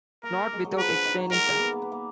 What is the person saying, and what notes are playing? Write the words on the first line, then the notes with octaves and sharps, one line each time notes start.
Not without explaining time.
A#3 A#4
A#3
G#3
F#3
F3 B4
D3
D#3
F#3
G#3 A#4
A#3
B3
A#3
B3
A#3